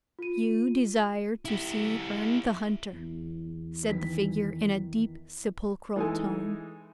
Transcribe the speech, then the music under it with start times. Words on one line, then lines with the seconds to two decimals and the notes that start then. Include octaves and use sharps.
"You desire to see Herne the Hunter," said the figure, in a deep, sepulchral tone.
0.19 F4 D#7
1.45 E4 G4
2.93 E2
3.89 D#3 E3 B6
5.96 E3 G#3 D#4 A4 G#5